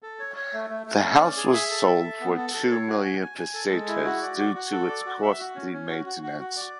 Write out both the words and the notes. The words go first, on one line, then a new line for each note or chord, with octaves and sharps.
The house was sold for two million pesetas due to its costly maintenance.
A4
C#5
C#5
A3
A3
A3
C#4
D5
G#4
E5
A4
E5
A4
B3
A4
A4
C#5
F#4
G#5
G#5
G#5
A4
G#3
E4
F#4
D5
F#4
F#4
A4
D5
F#4
E5
F#4
C#4
C#4
F#4
F#4
F#4
F#4
D5